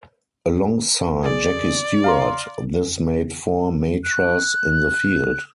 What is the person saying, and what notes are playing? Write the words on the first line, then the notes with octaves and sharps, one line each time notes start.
Alongside Jackie Stewart, this made four Matras in the field.
G#4 D5
F5 A#5 C6
F#6